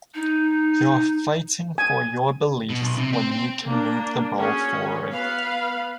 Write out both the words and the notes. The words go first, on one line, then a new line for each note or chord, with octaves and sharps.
You're fighting for your beliefs when you can move the ball forward.
D#4
G#5
B2
B1
C3
C4
C4
A#3 D4
C#4 F#4 G#4
B3 B4 F5